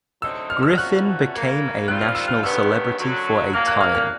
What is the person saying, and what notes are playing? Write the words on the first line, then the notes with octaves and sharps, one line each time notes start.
Griffin became a national celebrity for a time.
D3 F#3 A3 C4 D#4 E6
F6
E6
F6
A#2 F3 A3 C#4 F#4 F#6
C#3 F#3 A#3
D#3 G3 C4 F4 F#6
F6
E6
F6
G2 D#3 F#3 B3 E6
F#2 D3 F#3
A2 F#3 A#3 F6
F#6
F6
F6